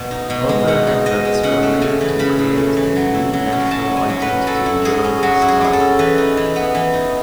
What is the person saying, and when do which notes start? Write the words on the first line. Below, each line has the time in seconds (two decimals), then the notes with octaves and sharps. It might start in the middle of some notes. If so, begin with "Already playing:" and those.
Other efforts were made to create a new national identity during this time.
Already playing: B2
0.11 D#4
0.30 B2
0.49 G#3
0.67 B2 F#5
0.87 D#4
1.06 B2 D#5
1.25 G#3
1.43 C#3 F#5
1.63 A3
1.82 C#3 G#5
2.01 E3
2.19 C#3 B5
2.39 A3
2.57 C#3
2.77 E3
2.96 F#3
3.14 E4
3.33 F#3
3.52 C#4
3.71 F#3 A5
3.90 E4
3.97 G#5
4.09 F#3
4.22 B4
4.28 C#4
4.47 F#3 A4
4.66 E4
4.85 F#3 G#4
5.04 C#4
5.23 F#3 F#4
5.42 E4
5.48 G#4
5.61 F#3 G#4
5.73 A4
5.80 C#4
5.99 E3 B4
6.18 D#4
6.37 E3
6.56 B3
6.75 E3
6.94 D#4